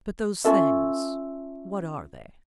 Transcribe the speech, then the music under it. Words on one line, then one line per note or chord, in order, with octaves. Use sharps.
"But those things--what are they?"
C#4 F4 A4 E5